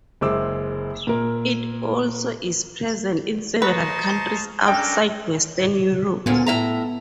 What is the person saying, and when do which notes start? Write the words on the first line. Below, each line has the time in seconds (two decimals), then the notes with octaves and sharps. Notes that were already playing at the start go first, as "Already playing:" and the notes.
It also is present in several countries outside Western Europe.
0.21 F#1 G#3 C5 D6 E6
1.07 A#2 A#4
3.62 B4 C5 D#5 A5 A#5 C#6
4.68 C#4 D4 A4 A#4 G5
6.26 D2 A#2 B3 C#4
6.47 A2 E5 A#5